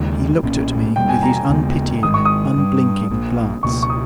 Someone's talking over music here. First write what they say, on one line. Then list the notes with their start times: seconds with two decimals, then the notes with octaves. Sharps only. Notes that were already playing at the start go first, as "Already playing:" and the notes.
He looked at me with his unpitying, unblinking glance.
Already playing: D#2 C#3 G#3 G5
0.42 B1 A#2 A#3 C#4
0.96 E2 B2 G3 A#3 G5
1.09 G#5
1.23 A#5
1.36 G#5
1.49 D#2 C#3 G#3 B3
2.02 G#1 G#2 D#3 G#3 D#6
2.14 C#6
2.25 D#6
2.56 G2 D#3 G3
3.10 A#1 A#2 A#3
3.63 C#2 B2 A#3 C#6
3.83 C#6
3.90 D#6